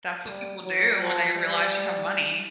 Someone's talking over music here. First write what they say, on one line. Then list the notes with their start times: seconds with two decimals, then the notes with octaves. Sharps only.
That's what people do when they realize you have money.
0.27 G3
0.63 F#3
1.00 F3
1.36 G3